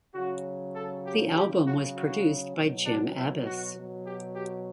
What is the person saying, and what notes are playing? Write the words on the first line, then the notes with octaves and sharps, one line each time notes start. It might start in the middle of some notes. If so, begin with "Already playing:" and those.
The album was produced by Jim Abbiss.
C#3 F#3 F#4
A4
G4
C#3 F#3 G4
F#4
F#4
B2 F#3
D4
E4
F#4
B2 F#3
G4
G4